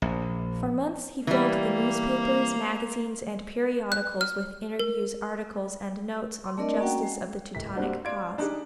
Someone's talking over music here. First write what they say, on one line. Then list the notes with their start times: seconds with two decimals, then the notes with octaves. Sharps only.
For months he filled the newspapers, magazines, and periodicals with interviews, articles, and notes on the justice of the Teutonic cause.
0.02 A#1
1.27 E3 G3 A#3
3.92 F#6
4.21 F6
4.79 A#4
6.44 C6
6.58 A3 C4 D4 A#4 D5 D#5
6.79 A#3 C#4 F#4 F#5 G5
7.03 G#3
7.55 D1 B6
7.76 G3 A#3 C4 D4 F#4
8.05 D5 F5 C6 G#6 D7
8.38 D4 D#4 G4 G#4